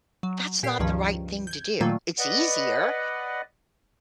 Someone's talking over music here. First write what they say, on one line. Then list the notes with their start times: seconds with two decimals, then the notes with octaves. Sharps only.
That's not the right thing to do. It's easier.
0.23 F#3
0.63 A#2 G4 C7
0.79 C#2 G2 D#3 F3 C#4
1.47 G6 G#6
1.81 A#2 D#3 F#3 A3 A#3 F4
2.19 B4 D5 D#5 F#5